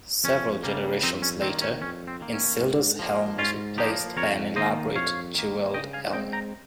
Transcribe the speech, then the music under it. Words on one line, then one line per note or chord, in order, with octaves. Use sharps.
Several generations later, Isildur's helm was replaced by an elaborate jewelled helm.
F2 C#4
C#3 G3 A#3
F2 C4 D#4
C#4
D#3 A#3 C4
C#4
F2 C#4
C4
D#3 A#3
C#4
G#2
F3 A#3
G#2 C#4 F4
F3 A#3 D#4 G4
F2 A#4 C#5
D#3 A#3 C5 D#5
F2 C#5 F5
D#3 A#3
C#3 D#5 G5
F5 G#5
G#3 C4 D#5 G5
G5 A#5